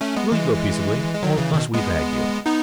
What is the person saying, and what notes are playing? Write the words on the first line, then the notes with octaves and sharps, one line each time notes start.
"Will you go peaceably or must we drag you?"
A3 C#4
G#3 B3
E3 G#3
G#3
D#3 F#3
C#3 E3
B2 D#3
G#3 B3
B3 D#4